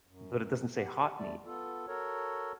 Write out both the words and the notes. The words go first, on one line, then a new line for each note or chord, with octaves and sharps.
But it doesn't say, "hot meat."
F#2
G4 F#5
E2 G3 A3 D5
B3 F4 A4
F#4 A4 A#4 C#5